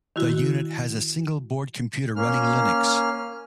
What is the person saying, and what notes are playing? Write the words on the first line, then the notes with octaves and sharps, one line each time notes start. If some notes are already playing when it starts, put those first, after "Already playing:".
The unit has a single-board computer running Linux.
D#3 E4 F#4
A#3 C#4 F6